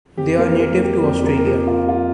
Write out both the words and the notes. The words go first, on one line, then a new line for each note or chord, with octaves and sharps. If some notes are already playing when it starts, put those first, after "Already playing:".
They are native to Australia.
F2 G4
A#3 A#4
A#3 A#4
G4
F2 G4
A#3 A#4
A#4
F3 G4
F4
F4